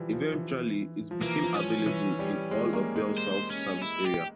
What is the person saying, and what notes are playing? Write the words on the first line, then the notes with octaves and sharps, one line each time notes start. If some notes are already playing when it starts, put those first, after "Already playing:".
Eventually, it became available in all of BellSouth's service area.
Already playing: E3 F3 G3
F3
E3
F3
E3 A#3
F3
C#4
E3
G3
G#3
A#3
G#3
C5
C#4
E4
G4